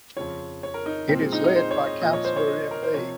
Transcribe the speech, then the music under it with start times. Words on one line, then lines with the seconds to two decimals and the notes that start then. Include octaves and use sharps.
It is led by counselor Md.
0.16 F2 C#3 F3 C#5
0.63 C#5
0.74 A#4
0.86 D#4
1.09 A#2 F3 C4
1.20 G#3
1.32 D#4
1.44 D#4
1.55 C5
1.71 C#5
1.86 D#5
2.01 A#2 F3 D#5
2.13 C#5
2.24 C5
2.36 C#5
2.48 D#5
2.71 A#4
2.83 C5
2.94 C3 F3 C#5